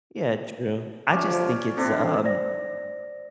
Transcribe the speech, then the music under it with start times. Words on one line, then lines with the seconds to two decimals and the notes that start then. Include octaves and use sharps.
Yeah, true. I just think it's, um,
1.11 D2 C3 F3 C#4 D5
1.77 D3 C4 D4 E4
2.24 C5 D5 A#6